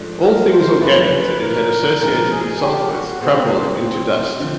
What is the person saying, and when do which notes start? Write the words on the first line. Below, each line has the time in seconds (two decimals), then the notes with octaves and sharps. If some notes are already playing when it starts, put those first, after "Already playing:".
All things organic that it had associated itself with crumpled into dust.
Already playing: G#2 F3 A3 D4
0.22 A#4
0.52 C5
0.82 F#2 C#3 F3 A3 D4 B4
1.41 A#4
2.01 A#2 F3 G#3 C4 D#4 A#4
2.31 G#4
2.62 G4
2.91 F#4
3.21 B2 G#3 B3 C4
3.51 C4
4.40 D3 F3